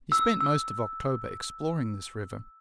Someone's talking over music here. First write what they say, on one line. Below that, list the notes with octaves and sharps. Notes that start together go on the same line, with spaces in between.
He spent most of October exploring this river.
E6
E6